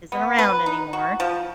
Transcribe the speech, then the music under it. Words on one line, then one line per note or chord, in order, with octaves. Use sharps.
isn't around anymore,
B3
B4
D#4
F#4
F3